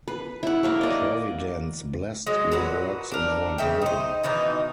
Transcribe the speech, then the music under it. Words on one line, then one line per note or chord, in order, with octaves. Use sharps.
Providence blessed the works in our garden.
B4
E4 F#5
A#3 A#4 C#5
D5 D#5
F#3 G#3
A#2 F#3 B4 F#5
D4 A#4
C#3 E5 G5
D#4 C5
B2 D#3 E3 D#4